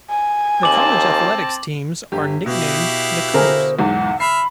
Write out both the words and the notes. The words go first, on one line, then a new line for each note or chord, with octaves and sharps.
The college athletics teams are nicknamed the Cougars.
G#5
D#2 C4 A5 D6 F#7
G1 G4
B2 E4 G4 F5
D3 G#4 A#4 C5
B1 E2 G#2 F#5
E5 B5 F6 C7